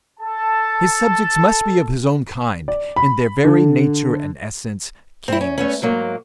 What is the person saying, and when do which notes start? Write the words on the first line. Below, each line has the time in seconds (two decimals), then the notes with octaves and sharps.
His subjects must be of his own kind, in their very nature and essence kings.
0.20 A4 A5
2.68 D5
2.96 B5
3.45 D3
5.28 C4 E4
5.41 C#4
5.58 A3 B3 C#4
5.82 G#2 F#3 A#3